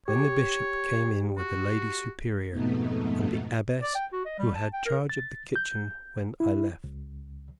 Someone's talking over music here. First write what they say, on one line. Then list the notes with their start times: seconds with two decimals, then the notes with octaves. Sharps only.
Then the Bishop came in with the Lady Superior, and the Abbess who had charge of the kitchen when I left.
0.08 G4 C#5
1.38 F#4
2.50 F2 G#2 B2 A3 B3 D#4
3.82 D5
3.95 G5
4.13 F#4
4.25 D#5
4.39 G3
4.55 A5
4.73 G5
4.86 A#4
5.09 A6
5.56 G6
6.40 E4
6.84 C#2